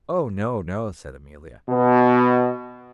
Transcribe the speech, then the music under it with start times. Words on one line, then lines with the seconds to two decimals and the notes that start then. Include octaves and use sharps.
'Oh no! no!' said Amelia.
1.70 B2